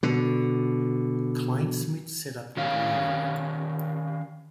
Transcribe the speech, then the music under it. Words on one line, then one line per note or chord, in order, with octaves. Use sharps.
Kleinschmidt set up a brewery.
B2 D3
D#3 C#4 G4 C#5 F5